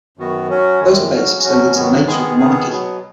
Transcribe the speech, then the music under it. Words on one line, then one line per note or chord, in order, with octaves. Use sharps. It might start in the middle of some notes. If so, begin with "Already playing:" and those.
Those debates extended to the nature of the monarchy.
F#2 D#3 B3 F#4
F#3 C#4 F#4
F#2 D#3 G#3
C#3 F#3 C#4 F#4
B2 F#3 C#4 F#4
G#2 D#3 F#3 B3
D#3 G#3 B3 G#4
D#3 B3 G#4
B2 F#3 B3